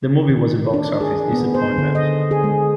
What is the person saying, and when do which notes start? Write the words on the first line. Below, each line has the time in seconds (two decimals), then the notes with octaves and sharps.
The movie was a box office disappointment.
0.29 D#3
0.74 D4
1.01 G#4
1.33 B3
1.54 C5
1.78 D3
1.95 D#5
2.31 G#4
2.44 G#3